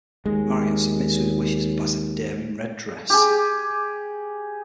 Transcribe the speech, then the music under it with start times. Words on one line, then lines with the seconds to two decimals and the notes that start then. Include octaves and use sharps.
Marian submits to his wishes and buys a daring red dress.
0.26 D#2 G#3
3.10 G4 G#4